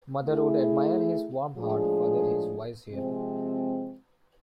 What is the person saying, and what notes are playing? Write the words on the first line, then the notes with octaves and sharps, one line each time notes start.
Mother would admire his warm heart, father his wise head.
A3 E4 G#4
A2 F3 G#3 D4 G#4
C3 F3 G#3 C4 G#4